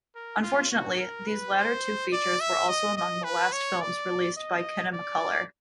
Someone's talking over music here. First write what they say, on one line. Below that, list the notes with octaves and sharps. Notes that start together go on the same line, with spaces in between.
Unfortunately, these latter two features were also among the last films released by Kinemacolor.
A#4
F4
F#4
A#4
B4
C5
D5
E5
D#5
D#5
B4
C#5
D5
D#5
D5